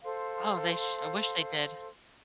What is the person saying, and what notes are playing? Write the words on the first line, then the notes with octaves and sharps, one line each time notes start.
Oh, they sh I wish they did.
A4 C5 F5 C6